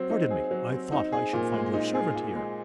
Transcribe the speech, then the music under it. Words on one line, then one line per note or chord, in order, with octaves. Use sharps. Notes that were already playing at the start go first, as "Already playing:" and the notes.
"Pardon me; I thought I should find your servant here."
Already playing: F#3 C4
D#4
G#4
F#3
C4
D#4
G#4
A#2
G#3
D#4
G#4
A#2
G#3